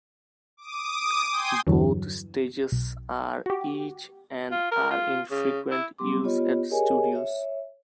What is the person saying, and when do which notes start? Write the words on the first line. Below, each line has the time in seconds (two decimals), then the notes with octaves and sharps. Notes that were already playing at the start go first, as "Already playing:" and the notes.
Both stages are each and are in frequent use at the studios.
0.57 D6 D#6
1.31 G5 G#5 C6 D#6 G6
1.67 E2 G2 D3 E3 F#3
2.72 B1
3.46 F#4 G4
4.51 F4
4.71 A#4
4.91 F4
5.31 C#3
5.71 E4
5.98 F#3 G3 B3 G4 C6 D6
6.24 B3 F4 G4 C#5 D#5
6.70 G4 G#4 A#4 C#5 D#5 G#5
7.12 C#5 E5